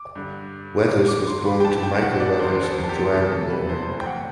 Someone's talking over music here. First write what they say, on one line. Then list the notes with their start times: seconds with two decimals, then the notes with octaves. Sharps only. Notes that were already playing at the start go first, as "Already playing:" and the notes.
Weathers was born to Michael Weathers and Joann Loring.
Already playing: D6
0.15 G2 D3
0.90 E2 D3
1.08 D6
1.27 C6
1.46 B5
1.60 G5
1.64 G2 E3 A5
1.83 G5
2.02 F#5
2.20 D5
2.39 E2 D3 C5
2.64 A4
2.84 A4
2.89 G4
3.14 E2 C3 E3 A4
3.32 A4
3.50 B4
3.69 C5
3.88 A2 E3
4.01 G5
4.06 F#5